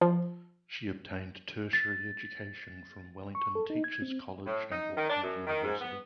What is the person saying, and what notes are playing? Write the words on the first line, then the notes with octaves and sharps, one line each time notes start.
She obtained tertiary education from Wellington Teachers College and Auckland University.
F3
A6
C#6
A4
D#4
G#6
C4
A2
D#4
D#3
D4
F#2
D#3
G#2
B3